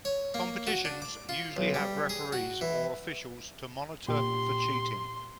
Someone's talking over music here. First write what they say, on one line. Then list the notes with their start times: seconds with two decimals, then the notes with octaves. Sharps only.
Competitions usually have referees or officials to monitor for cheating.
0.05 C#5
0.34 A#3
0.67 F#4
0.85 D4
1.02 D6
1.29 F4
1.57 B1
1.74 G3
2.09 G#4
2.32 F#4
2.61 E3
4.08 A#2 G4 C6